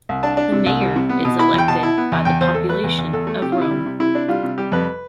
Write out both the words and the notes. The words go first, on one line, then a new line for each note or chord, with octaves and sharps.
The Mayor is elected by the population of Rome.
C2
D4 A5
D4
C3
C2
G3
C3
B3
B2
E4 B5
E2 G5
B2 A5
E4
B3
E2
E2 G5
E2 C5
E2 A4
A3 B4
E2
E2
E2 A4
A3
C3 G4
F4
C3 E4
G3
C3
C3 E4
D4
G3 F4
C3
G3 G4
F2 B4